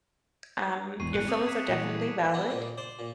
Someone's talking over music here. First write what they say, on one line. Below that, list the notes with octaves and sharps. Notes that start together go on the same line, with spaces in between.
Um, your feelings are definitely valid.
D#1 E2 G#2 C#6 C7 D#7
G1 A2 G3 F#6 C#7
C4 D6 D#6
G#6 B6 E7
A#2 E3 G3
B3 D4 D#4
A#2 D#3 D4
C5 D5
A#2